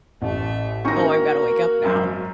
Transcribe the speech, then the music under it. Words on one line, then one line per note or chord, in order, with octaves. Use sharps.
Oh, I've gotta wake up now.
A1 A3 E5
D#3 A#3 C4 C#4 F#4 A#4 C#6 A#6
G#1 F#2 C5